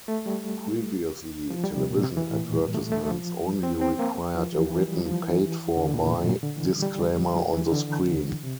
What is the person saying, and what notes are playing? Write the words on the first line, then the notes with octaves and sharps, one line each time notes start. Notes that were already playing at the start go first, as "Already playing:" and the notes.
Previously, television advertisements only required a written "paid for by" disclaimer on the screen.
A3
G3
F3
G3
C3
A#2
C3
E3
A2
A#2
G3
A3
A3
F3
C4
C4
A#3
F3
E3
E3
G3
F3
E3
D3
A#2
A2
A#2
D3
E3
G3
G3
F3
E3
D3
C3